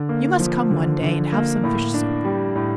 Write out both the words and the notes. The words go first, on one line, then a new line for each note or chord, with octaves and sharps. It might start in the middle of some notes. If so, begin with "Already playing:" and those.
You must come one day and have some fish soup.
Already playing: D3
A#3
F3
D3
D3
A#3
A2
D4
G3
A2